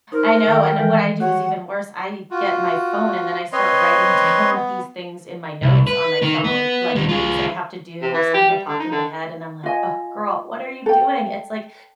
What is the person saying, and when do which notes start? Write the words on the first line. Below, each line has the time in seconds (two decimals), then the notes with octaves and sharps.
I know, and, eh, what I do is even worse. I get my phone, and then I start writing down these things in my notes on my phone, like, things that I have to do, or something that popped in my head, and I'm like, "Oh, girl, what are you doing? It's, like,
0.12 D#4 A#4 C5
0.47 D#3 A4 G5
0.78 E3 G#3 A4
1.20 F#4 C#5 F#5
2.31 F4 F#4
3.52 C4 B4 C#5 D#5 C6
4.54 B3
5.62 C2
5.87 B4
6.22 D#4 A#4
6.44 B3
6.96 D#2 G3
7.09 F4 G#4
8.01 C3
8.14 E3
8.34 G4
8.49 G3
8.68 D3
8.79 D#4
8.91 D3
9.63 F4 D#5 G#5
10.86 A4 G5